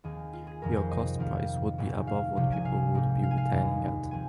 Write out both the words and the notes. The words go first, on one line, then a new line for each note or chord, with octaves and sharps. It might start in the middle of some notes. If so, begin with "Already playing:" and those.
Your cost price would be above what people would be retailing at.
D#2 D#3 C4 G#4
F4
G#4
F1 F2 C3 D#3 A#4
C5
D#5
F2 D#3 C4 F5
A#1 G#2 G#3 C4
F5
C2 C3 F3
G#5
F5
G#2 G#3 C4
F5
G#5
F5
F1 D#2 D#3
F3 C4 G#5